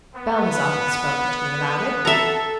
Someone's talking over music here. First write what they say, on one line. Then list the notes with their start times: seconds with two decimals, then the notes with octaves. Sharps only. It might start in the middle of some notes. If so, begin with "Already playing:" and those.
Bell has often spoken to me about it.
0.15 B3
2.05 A4 E5 A#5